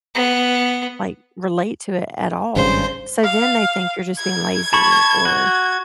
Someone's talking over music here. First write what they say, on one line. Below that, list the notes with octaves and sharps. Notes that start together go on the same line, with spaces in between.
like, relate to it, at all? So, then they think you're just being lazy or,
B3
G#1 G2 C#3 C5
F5
G#6
A5 B5 C#6
F#4